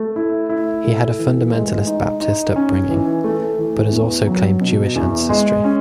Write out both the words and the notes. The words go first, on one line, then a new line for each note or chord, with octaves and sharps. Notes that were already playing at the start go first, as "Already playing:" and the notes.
He had a fundamentalist Baptist upbringing, but has also claimed Jewish ancestry.
Already playing: A3
E4
E4
A3
E3
G#3
D#4
D#4
C#4
E3
A3
E3
E2
F#3
B2
E2
G#3
C#4